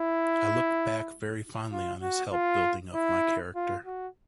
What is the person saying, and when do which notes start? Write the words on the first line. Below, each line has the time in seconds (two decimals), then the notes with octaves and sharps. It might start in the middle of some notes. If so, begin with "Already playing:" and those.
I look back very fondly on his help building of my character.
Already playing: E4
1.72 F4
2.02 F#4
2.33 F4
2.94 E4
3.55 F4
3.86 F#4